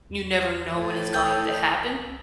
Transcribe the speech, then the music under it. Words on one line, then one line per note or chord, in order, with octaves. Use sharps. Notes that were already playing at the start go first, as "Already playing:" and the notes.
you never know when it's going to happen,
E2
A2
C2 G5 D#6 E6 G6